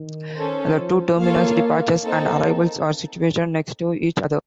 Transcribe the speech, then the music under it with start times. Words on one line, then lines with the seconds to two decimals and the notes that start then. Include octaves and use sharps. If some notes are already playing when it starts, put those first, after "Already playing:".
The two terminals, departures and arrivals, are situated next to each other.
Already playing: D#3
0.33 C#4 A4 C5
0.76 F3
1.18 A#3 F4 A4 C#5 F5
2.03 A#3 C4 D#4 A4